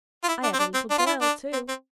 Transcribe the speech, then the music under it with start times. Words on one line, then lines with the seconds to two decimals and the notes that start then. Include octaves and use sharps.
I had a little girl, too.
0.24 F4
0.28 E4
0.43 D4
0.54 C4
0.59 D4
0.74 C4
0.90 D4
0.99 F4
1.07 E4
1.22 D4
1.53 C4
1.69 C4